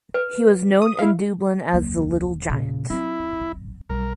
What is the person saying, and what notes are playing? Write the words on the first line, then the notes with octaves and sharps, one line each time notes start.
He was known in Dublin as the "little giant".
B4
D#6
E4 F5
E1 C#2 F#3 A#3
A#2 C#3
F#3 C4 C#4 E4
B1 G3 A#4